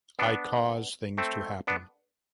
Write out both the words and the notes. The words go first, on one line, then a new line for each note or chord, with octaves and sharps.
I cause things to happen.
B3 D4
A3 C4
B3 D4